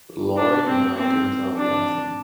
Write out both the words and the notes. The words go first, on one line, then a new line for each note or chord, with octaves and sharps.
Laurie and I couldn't help laughing.
D4
C4
C4
D4